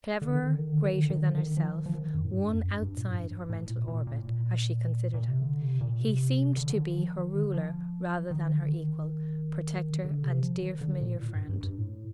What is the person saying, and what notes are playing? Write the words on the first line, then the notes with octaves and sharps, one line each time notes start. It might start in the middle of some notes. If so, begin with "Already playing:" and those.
Cleverer, greater than herself, one outside her mental orbit, as she considered him, he seemed to be her ruler rather than her equal, protector, and dear familiar friend.
D3
D#3
D3
D#3
D3
D#3
D3
D#3
D3
D#3
F3
D#3
F3
D#3
F2
A2
G2
F2
G2
G2
A#2
G2
A2
A#2
A#2
A#2
A2
A#2
A#2
C3
D3
C3
A#2
C3
D3
D3
D#3
F3
D#3
D3
F3
D#3
D3
D#3
D3
C3
F3
D#3
D3
A#2
A2
A#2
A2
G2
G2
G2
A2